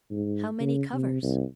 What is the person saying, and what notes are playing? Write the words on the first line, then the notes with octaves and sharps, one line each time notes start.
"How many covers?"
G#2
C#3
C3
C2